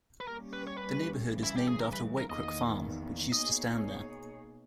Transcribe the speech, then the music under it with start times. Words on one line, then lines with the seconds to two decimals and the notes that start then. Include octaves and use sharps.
The neighbourhood is named after Whitecrook farm, which used to stand there.
0.20 B4
0.27 G3 A#3 C#4 G4 A#4
0.53 B4
0.67 C#5
0.77 B4
1.29 C#3 E3 G3
1.43 E4
1.56 G4
1.67 G#4
1.80 A#4
1.93 B4
2.18 A#4
2.30 E2 D#3 A#3 D#5
3.32 B2 A#3 D#4 G#4 C#5 D#5